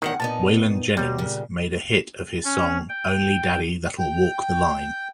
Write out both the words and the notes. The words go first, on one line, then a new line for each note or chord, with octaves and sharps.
Waylon Jennings made a hit of his song "Only Daddy That'll Walk the Line".
E2 A2 D#3 F#5
A#2 B3 D#4 A5
D#2 B2 G3
A#2 C#3
C#4
G5
G5